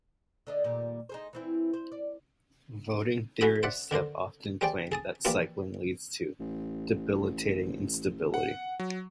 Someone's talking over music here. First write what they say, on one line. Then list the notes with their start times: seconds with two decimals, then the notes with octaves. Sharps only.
Voting theorists have often claimed that cycling leads to debilitating instability.
0.47 D3 D4 D#5
0.64 D#2 A#2 G3
1.09 D#4 G#4 C5
1.33 E3 C4 E4
1.73 C5
1.92 D5
3.41 A3 F#4 A4 G#5 B5 D#6
3.63 C5 D5 E5 F#5
3.91 D3 D4 A#4 C5
4.61 G3 G#4 C5 D5 G5
4.92 G#4 A5 D#6
5.25 E3 F3 G3 A#3 D4 F4
6.40 A1
8.34 F#5
8.79 F#3